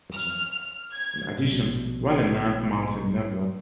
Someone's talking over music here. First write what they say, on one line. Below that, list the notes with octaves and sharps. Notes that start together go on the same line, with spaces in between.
In addition, while a nymph moults it never enters a pupal stage.
F6
G#6
A#1 B2 G3